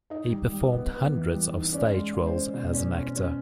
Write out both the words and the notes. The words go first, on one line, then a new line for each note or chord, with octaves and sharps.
He performed hundreds of stage roles as an actor.
D#4 D#5
G3
G3
B3
B3
E3
G3
D#4
C#4 D5
G#3
G#3
C5
C#4
B2
C#4
C#4
C#4